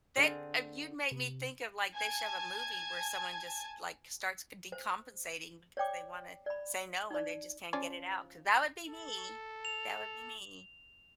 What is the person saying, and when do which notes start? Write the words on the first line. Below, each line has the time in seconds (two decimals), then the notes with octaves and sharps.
thick of You'd make me think of, like, they should have a movie where someone just, like, starts ca decompensating because they wanna say no and they just can't get it out, 'cause that would be me! That would be me.
0.17 D3 C4 G#4 A#4
1.12 C3
1.95 G#5 A5 G#6
4.72 C5
5.77 C#5 D5 G5 D6
6.46 D5 B5
7.11 D#4 D5
7.73 F3 C#4 D5
8.89 A4
9.65 F7